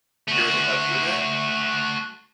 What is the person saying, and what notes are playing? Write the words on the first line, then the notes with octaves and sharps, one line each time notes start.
You ever think about doing that?
A3 F#4